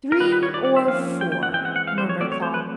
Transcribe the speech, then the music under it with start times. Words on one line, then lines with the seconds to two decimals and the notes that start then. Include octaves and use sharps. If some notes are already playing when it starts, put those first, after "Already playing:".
"Three or four," murmured Thong.
0.12 A#4
0.20 D#3 G3 B3 B4
0.32 B4
0.43 C#5
0.54 D5
0.65 D5
0.76 E5
0.87 F3 A#3 C#4 F5
1.21 G5
1.32 G5
1.43 F#5
1.53 E3 G#3 C4 G5
1.65 F#5
1.76 F#5
1.87 F5
1.98 C5
2.09 C#5
2.20 F#3 A3 C4 D5
2.32 C#5
2.42 C5
2.54 B4